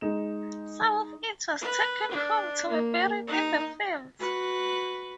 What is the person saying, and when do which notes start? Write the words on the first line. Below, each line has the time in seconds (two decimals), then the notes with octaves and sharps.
Some of it was taken home to be buried in the fields.
0.01 G#3 D#4 E7
1.61 B4
2.11 D4
2.68 A#3
3.27 D#4
4.19 F#4 B4